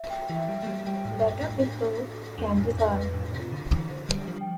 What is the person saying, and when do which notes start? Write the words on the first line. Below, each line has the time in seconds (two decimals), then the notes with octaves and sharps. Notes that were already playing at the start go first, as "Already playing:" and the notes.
Butter Brickle... candy bar!
Already playing: E5
0.10 G5
0.30 E3
0.35 E5
0.48 G3
0.61 A3 E5
0.67 G3
0.86 G3 G5
1.05 A2
1.12 A4
1.24 G2
1.37 D4
1.43 A2
1.62 D4
1.87 A4
2.13 A4
2.38 F2 D4
2.58 A2
2.64 D4
2.77 F2
2.89 B4
2.95 F2
3.14 A2 D4
3.34 C3
3.40 F4
3.52 D3
3.65 D4
3.71 E3
3.90 D3 C5
4.09 G3
4.16 D4
4.28 F3
4.41 G5